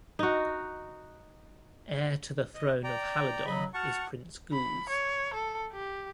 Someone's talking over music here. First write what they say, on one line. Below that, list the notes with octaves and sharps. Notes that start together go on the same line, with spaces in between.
Heir to the throne of Halidom is Prince Gules.
D#4 F#4
D#5
D5 G5 A#5
C#3 F#3 D#5 B5
F#4 F#5 A5 C#6 F6
B5
C#5
A4
G4